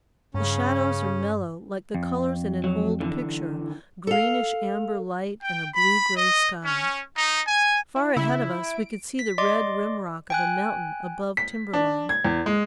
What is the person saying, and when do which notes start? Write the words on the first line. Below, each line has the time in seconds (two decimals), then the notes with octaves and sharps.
The shadows are mellow, like the colors in an old picture--greenish amber light and a blue-gray sky. Far ahead of us we could see the red rim rock of a mountain above timber line.
0.34 G2 C#3 C#4
1.95 F2
2.64 F#3
3.00 D3 E3
4.07 A4 F5
5.43 G5
5.74 B5
6.16 D#5
6.65 C#4
7.17 D#4
7.48 G#5
7.96 E4
8.16 C#3 E4
8.63 D7
9.19 B6
9.38 D5 D#5 C6 D6
10.30 G5 G#5 F#6
11.37 B6
11.73 D4
12.09 G#6
12.25 E2
12.46 G#3